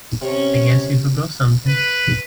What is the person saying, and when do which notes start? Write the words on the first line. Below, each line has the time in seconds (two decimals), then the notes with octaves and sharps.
I guess you forgot something.
0.22 C3 C#4 C#5
1.68 B4